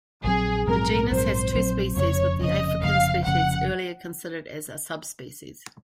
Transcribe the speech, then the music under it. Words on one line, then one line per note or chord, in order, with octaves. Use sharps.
The genus has two species with the African species earlier considered as a subspecies.
A#1 G#2 F#3 C4 G#4
A#1 G#2 F#3 C4 A#4
A#1 G#2 F#3 C4 C5
A#1 G#2 F#3 C4
F1 F2 C#3 C#5
F1 F2 C#3 D#5
F1 F2 C#3 F5
F1 F2 C#3 F#5